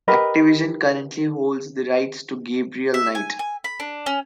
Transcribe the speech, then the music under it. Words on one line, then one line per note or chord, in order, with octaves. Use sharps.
Activision currently holds the rights to Gabriel Knight.
G4 A#4 B4 D#5
E5
G#5
G#5
B5
D4
C#4